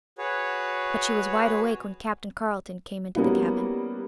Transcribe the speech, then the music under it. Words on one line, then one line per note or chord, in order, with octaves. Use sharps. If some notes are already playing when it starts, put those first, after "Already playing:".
But she was wide awake when Captain Carleton came into the cabin.
F#4 G#4 B4 C#5
G3 A#3 B3 C#4 E4 F#4